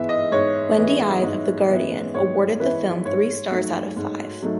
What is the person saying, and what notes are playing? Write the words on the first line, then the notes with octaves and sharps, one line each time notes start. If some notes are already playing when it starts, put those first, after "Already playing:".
Wendy Ide of "The Guardian" awarded the film three stars out of five.
Already playing: G#2 E3 B3 E4 E5
D#5
G#2 C#5
E3 B3 E4
G#2
E3 B3 E4
G#2 C#5
E3 B3 E4 B4
G#2 C#5
F#3 A3 D#4
G#2
F#3 A3 D#4